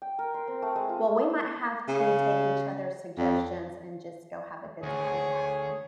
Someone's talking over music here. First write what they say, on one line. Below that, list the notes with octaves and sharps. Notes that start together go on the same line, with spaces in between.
Well, we might have to take each other's suggestions and just go have a good time, then.
G5
A#4
C6
C4
A3
G#3
F4
C#3
F2
D2 G#4 C#5